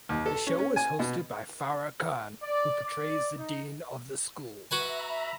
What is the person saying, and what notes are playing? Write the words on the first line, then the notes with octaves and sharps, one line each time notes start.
The show is hosted by Farah Khan who portrays the dean of the school.
D#2
A4
C#4
C#4
G#5
B2
D5
D5
D#4
F#4 B4 E5 G#5 A#5 B5